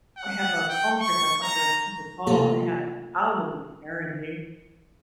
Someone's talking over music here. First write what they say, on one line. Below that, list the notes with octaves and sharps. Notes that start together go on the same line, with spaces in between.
I have a palm tree in my front yard, it's super tall, and I had an owl living in there, and they
F#5
G5
C#6
A#5
C3 A3 A#3 F4 G4 A4